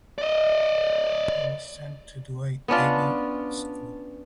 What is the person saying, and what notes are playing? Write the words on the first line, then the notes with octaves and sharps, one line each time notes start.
He was sent to Douai Abbey school.
D5 D#5
B3 C#4 D4 F4